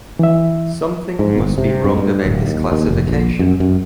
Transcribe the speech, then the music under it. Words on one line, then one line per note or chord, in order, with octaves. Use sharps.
Something must be wrong about this classification.
E3 E5
G#2
G1
C3
G2
G2
D1
D#2
D#2
F1
A#1
F#2
F#2